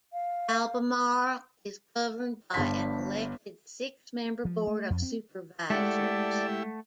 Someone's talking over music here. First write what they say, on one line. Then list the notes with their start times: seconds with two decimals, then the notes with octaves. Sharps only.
Albemarle is governed by an elected six-member Board of Supervisors.
0.13 F5
2.54 G1 G2 D4 A5 C6 B6
4.45 F3
4.67 A3
4.90 F2
5.02 C4
5.70 G#3 A3 E4 G4 A4 D5 F#5 A5